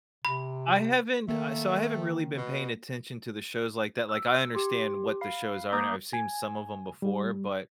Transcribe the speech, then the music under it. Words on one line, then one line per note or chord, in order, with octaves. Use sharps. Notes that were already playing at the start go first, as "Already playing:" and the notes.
I haven't, I so I haven't really been paying attention to the shows like that, like I understand what the shows are, and I've seen some of 'em before, but
C3 B5
D#3 A3 A#3
B2
E6
G4 C6
F5 B5 C7
A#3 A#5 D6 D#6 G6
G#5
G3